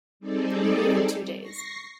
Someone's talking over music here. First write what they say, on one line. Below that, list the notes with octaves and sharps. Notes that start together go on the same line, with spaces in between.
We leave in two days.
G3 C4 D#4 G#4 A4 D5
C#6 A#6 C7